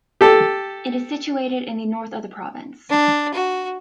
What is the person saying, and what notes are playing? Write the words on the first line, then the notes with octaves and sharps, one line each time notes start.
It is situated in the north of the province.
G4 A4
D4
F#4